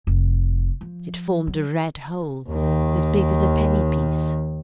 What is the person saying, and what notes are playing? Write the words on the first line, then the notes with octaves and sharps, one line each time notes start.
It formed a red hole, as big as a penny piece.
F1
F3
F#3
D#2 D#3